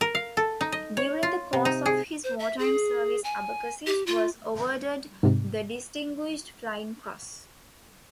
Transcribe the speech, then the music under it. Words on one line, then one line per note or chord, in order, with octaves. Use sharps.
During the course of his wartime service Abecassis was awarded the Distinguished Flying Cross.
A#4
F5
A4
D#4
D#5
C#5
F4
C3
D#4
G#4
C5
E5
G#4
G#5
G4
F4
G#2 C3